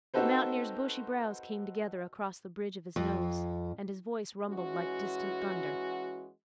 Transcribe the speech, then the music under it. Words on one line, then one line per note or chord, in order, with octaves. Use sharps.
The mountaineer's bushy brows came together across the bridge of his nose and his voice rumbled like distant thunder.
C4 D#4 F#4 A4 B4 C5
F2
E3 G#3 C#4 F#4